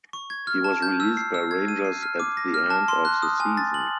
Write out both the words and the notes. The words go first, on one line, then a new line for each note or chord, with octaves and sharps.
He was released by Rangers at the end of the season.
C#6
G#6
F6
A5
G6
E6
C7
E6
G#6
D#7
C7
F6
D6
A#6
F6
A5
C6
F#6
D#6
G#5
A6
F#7